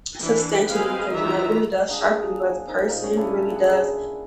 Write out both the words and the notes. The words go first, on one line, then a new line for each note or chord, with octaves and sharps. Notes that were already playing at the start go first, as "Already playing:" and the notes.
substantially because, you know, it really does sharpen you as a person, it really does
E3 D4
C4 G#4 B4 D#5 F5 G#5
D#3 E3 D4 F4 E5 A#5
A#3 D4 G#4 D#5
D#3 C4
A#2 D#4 D#5 G5
C#4
C#3 D4 E4 G#5
G#4 F#5